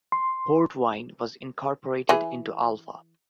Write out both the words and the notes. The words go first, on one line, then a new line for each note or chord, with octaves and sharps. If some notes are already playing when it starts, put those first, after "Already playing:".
Port Wine was incorporated into Alpha.
C6
E3 G#4